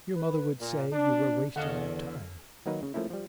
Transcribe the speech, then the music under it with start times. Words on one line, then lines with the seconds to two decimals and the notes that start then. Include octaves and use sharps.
'Your mother would say you were wasting your time.
0.16 B4
0.60 A#2
0.93 D4
1.56 E2 D3 A#3 C#4 A4 D#5 F5 F#5
2.66 D#3 F#3 A#3 D#4 B4
2.83 C#3
2.94 F3 A3 A#3 C#4 E4
3.10 F3 G3